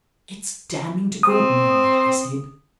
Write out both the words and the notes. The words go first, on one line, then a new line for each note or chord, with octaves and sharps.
"It's damning to Gordon, all right," I said.
C4 D#6